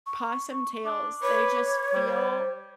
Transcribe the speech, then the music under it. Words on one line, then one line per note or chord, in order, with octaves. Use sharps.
possum tails, they just feel
C#6
D4 D6
B4 C#5
G3 C5